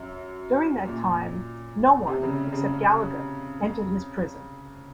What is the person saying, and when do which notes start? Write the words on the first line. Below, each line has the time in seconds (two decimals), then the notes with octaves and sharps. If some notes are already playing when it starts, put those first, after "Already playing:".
During that time no one, except Gallagher, entered his prison.
Already playing: F#2
0.87 A#2
2.07 C3
2.23 C#3
2.52 C#3